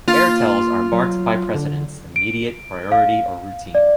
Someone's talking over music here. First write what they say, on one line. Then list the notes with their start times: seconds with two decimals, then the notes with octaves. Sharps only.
Airtels are marked by precedence: immediate, priority, or routine.
0.08 A#3 F4
0.92 F#3
1.55 D3
2.16 D7
2.92 F5
3.75 D5